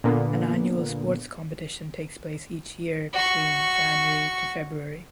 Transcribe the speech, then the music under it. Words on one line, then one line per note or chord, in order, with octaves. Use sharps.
An annual sports competition takes place each year between January to February.
A#2 D3 A#3 B3
F#4 C#6